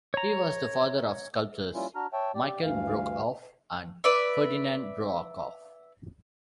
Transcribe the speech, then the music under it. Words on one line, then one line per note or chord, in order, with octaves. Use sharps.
He was the father of the sculptors Michael Brokoff and Ferdinand Brokoff.
C#5 A#5
G3 A#3 C#4 E4 F4
D4 F#4 A#5 F6
C#5 E5 G5 A5
G4 D5
D2 G2 E3 F5
B4 D5 E5